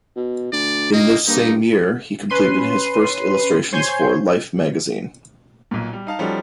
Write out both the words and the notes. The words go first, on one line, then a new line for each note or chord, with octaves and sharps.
In this same year, he completed his first illustrations for "Life" magazine.
B2
D2 D5
A#3 D#5
G2 A#3 D#4
C#4 B4 C6 C7 D#7
C5 C#5 G#5 C6 G6
B1 A#2
G3
D#4 F5 A5
F3 G3 C#4 D#4 F#4 A4